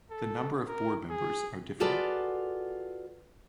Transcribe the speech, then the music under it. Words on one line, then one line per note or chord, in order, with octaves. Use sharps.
The number of board members are different.
A4
A#4
G#4
F4 F#4 G#4 A4 B4 D5